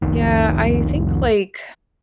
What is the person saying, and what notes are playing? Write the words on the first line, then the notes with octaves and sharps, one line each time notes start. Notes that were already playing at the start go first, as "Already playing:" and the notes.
Yeah, I think like
F1 C2 D#3